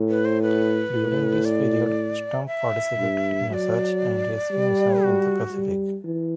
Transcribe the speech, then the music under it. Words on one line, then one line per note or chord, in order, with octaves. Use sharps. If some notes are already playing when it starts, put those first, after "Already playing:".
During this period "Stump" participated in a search and rescue mission in the Pacific.
Already playing: A2
B4
C5
B4
A2
D5
E5
G2
F#3 D5 E5
G3
F#4
G3
E3